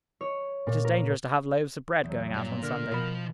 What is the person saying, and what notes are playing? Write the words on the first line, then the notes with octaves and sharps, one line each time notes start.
It is dangerous to have loaves of bread going out on Sunday.
C#5
A#2
A#4
E2 F#3
G2 A#2
D3 A#4
B2 F3 F4 B5